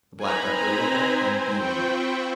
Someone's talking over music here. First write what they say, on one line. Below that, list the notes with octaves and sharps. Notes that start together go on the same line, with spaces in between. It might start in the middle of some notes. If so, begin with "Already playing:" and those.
The Black Doctor looked up, and beamed.
C4 D#4 B4 C5 G#5 A#5 B5
F4 G5 B5 C#6